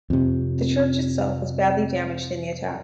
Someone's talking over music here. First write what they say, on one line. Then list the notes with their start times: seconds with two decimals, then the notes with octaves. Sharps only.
The church itself was badly damaged in the attack.
0.10 F2 C3